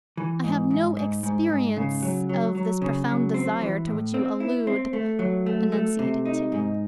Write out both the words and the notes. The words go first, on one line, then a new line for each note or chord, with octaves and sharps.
"I have no experience of this profound desire to which you allude," enunciated Tibby.
E3
G#2
G#2
G#2
G#2
G#2
C#3
F#3
F#3
F#3
C#3
F#3
C4
E3
A2
C4
E4
C4
A3
F#3
A3
A3
C3
D#4
G#2